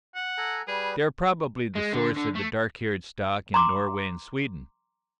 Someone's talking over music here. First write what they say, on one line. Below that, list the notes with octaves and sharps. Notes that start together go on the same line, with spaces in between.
They are probably the source of the dark-haired stock in Norway and Sweden.
F#5
A4 G#5 A#5
G3 G#4 B4
G#3
D3
D3
A3
A#5 C6 D6